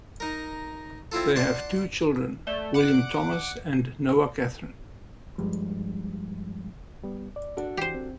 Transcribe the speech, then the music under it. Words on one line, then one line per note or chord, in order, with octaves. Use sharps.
They have two children, William Thomas and Noa Cathryn.
D#4 A#4
C4 E4 F4 A4
D5 F#5 A5 C6
A3 D5 E7 G7
F#5 D6
G2 F3 G3 G#3
G3 B3
D5
D4 F#4 A4
E3 G4 C5
C4